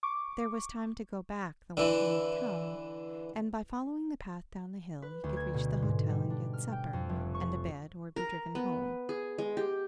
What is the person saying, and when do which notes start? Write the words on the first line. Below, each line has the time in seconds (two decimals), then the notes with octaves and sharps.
There was time to go back the way he had come, and by following the path down the hill he could reach the hotel and get supper and a bed, or be driven home.
0.03 C#6 D6
1.77 D3 E3
5.02 B4
5.24 D2
5.37 G#6
5.54 B2
5.82 G#2
6.09 G3
6.30 D4
6.53 F6
6.72 G5
6.93 F2
7.09 F1
7.34 C#6
8.16 A#4
8.55 B3
9.09 G#4
9.38 G#3
9.57 G4